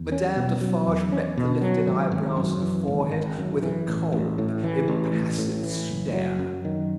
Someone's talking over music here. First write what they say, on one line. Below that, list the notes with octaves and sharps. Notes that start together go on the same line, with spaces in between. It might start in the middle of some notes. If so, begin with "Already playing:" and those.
Madame Defarge met the lifted eyebrows and forehead with a cold, impassive stare.
Already playing: E2
C#4
B2
F#3
E2
C#4
B2
F#3
G#1
G#1
F#2
E3
G#1
G#1
F#2
E3
A1
A1
A2
E3
A1
A1
A2
E3
F#1
F#3
F#2
D#3